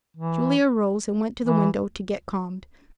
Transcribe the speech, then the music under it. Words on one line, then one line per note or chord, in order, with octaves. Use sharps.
Julia arose and went to the window to get calmed.
E3
E3